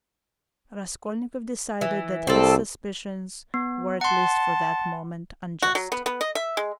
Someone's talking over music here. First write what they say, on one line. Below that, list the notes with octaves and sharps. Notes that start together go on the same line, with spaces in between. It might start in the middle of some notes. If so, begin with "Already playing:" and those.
Raskolnikov decided that his suspicions were at least for that moment unjust.
E3
C2 C4 A4
B3
F#5 A5 C6
F#4
F#3
B3
B3
D#5
E5
G#3